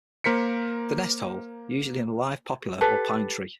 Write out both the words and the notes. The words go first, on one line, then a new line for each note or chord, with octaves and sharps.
The nest hole, usually in a live poplar or pine tree.
A#3 A#4 C5 B6 C#7
G4 A4 B4